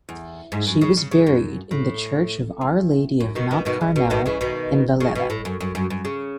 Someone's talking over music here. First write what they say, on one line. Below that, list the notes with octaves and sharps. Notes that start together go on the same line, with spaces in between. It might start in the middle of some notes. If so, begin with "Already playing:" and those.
She was buried in the church of Our Lady of Mount Carmel in Valletta.
E2
G#2
F#2
C#3
C#3
C#3
F#2
A2
E2
F#2
B2 D#3
B2 D#3
B2 D#3
C#3
B2
B2 D#3
C#3 E3
B2 D#3
C#3
B2
A2
F#2
F#2
F#2
F#2
C#3